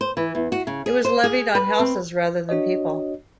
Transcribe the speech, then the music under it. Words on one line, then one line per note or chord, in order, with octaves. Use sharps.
It was levied on houses rather than people.
C5
E3
E2
F#4
C#3
G#4
C5
G#4
B4
C4
D4 F#4 C#5 D#5